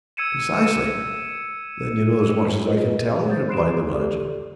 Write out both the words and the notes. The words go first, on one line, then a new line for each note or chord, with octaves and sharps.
"Precisely!--then you know as much as I can tell you," replied the manager.
E6 G#6 C#7 D#7 E7
F4 G#4 A#4 B4 D#5
C5 F#5 D#6 G6 A6
B5 C6 F#6 C7 D7 E7
G4 A4 D5